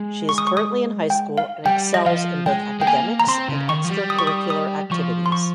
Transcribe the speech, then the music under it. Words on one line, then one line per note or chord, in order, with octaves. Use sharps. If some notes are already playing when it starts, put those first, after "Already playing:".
She is currently in high school and excels in both academics and extracurricular activities.
Already playing: G#3
C#6
D#6
C#6
D#6
G5
F5
G3 G5
D#5
F3 F5
G#3 G5
G#3 G5
A#3 G#5
A#5
C4 C6
C#3
D#3 C#6
F3
G3
D#6
C#6
D#6
D#6
F3 C#6
C6
C#6